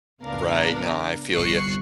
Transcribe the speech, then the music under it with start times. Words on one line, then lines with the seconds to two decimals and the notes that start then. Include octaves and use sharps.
Right, no I feel you.
0.22 C#2 A2 B3 D4 A#4 F5
1.34 G1 C2 C#6 F#6 C7 C#7